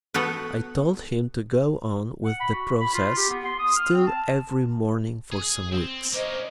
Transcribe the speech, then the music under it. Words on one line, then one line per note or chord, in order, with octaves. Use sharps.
I told him to go on with the process still every morning for some weeks.
B3 F#4 A4 B4
F#5
B5
F#4
B5
F4
G4
B3
C6
D#6
F6
C4
A5
G#4
C4
A#3 C#4 C5 D#5